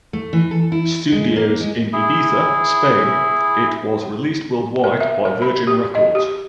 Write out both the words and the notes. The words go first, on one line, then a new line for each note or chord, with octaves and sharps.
Studios in Ibiza, Spain, it was released worldwide by Virgin Records.
A3
E3
A4
E4
G#3
A#3
G#3
E4 G#4
A#4
E5
A#4
B5
G4
D#5
G4